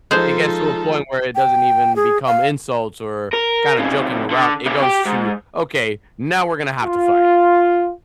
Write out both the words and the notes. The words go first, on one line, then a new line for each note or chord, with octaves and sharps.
It gets to a point where it doesn't even become insults or kinda joking around. It goes to, okay, now we're gonna have to fight.
F3 G#3 D#4 A4 C5
G5
G#4
F5
A#4
F2 C#3
D3 D4
C#3 G4
G4 G5
G#2
F4